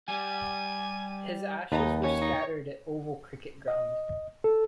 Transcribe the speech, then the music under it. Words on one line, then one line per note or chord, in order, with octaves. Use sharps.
His ashes were scattered at the Oval cricket ground.
G3 G#5
D#2 D#4 B4 A5
C#4 C#5
D#4
D#5
A4